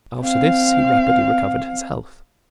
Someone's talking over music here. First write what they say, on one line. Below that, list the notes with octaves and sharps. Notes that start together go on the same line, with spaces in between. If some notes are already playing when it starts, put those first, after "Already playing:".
After this he rapidly recovered his health.
C4 F5